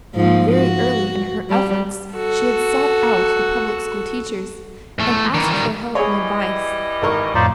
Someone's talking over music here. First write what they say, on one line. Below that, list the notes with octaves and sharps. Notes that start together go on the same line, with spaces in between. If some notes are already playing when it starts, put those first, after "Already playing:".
Very early in her efforts she had sought out the public school-teachers, and asked their help and advice.
G#2 F3 A#3
F#4
G3
F#4 A4
E2 A3
D#3 E3
D#3 G3
E3 G3 E4 G#4 C#5 D#5
G#1 A#4 C#6
F2 A2 F3 C#4 D#4 F4 C5 D5